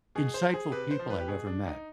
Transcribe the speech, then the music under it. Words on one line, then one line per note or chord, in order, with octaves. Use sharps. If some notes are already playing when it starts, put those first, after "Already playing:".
insightful people I've ever met
B2 G#4
C5
G#4
C3 B4
C5
F3
B4
G4
B2 G#4
D4
D#4